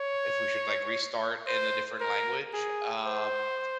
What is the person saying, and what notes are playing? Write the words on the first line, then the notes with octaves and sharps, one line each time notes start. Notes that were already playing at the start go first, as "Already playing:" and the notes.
if we should, like, restart in a different language. Um,
Already playing: C#5
C5
A#4
G#4
C5